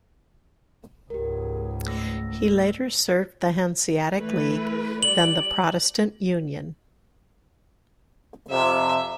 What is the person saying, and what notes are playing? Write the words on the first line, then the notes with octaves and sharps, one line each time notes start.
He later served the Hanseatic League, then the Protestant Union.
C#2 G#2 G4 A#4
A3 E6 A#6
E3 A3 B4
G3 D5 F#7
F2 C3 E5